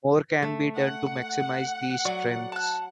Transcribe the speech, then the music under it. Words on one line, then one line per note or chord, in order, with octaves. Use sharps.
More can be done to maximise these strengths.
A3
F#5
F#3 D5 C#6
A5 F#6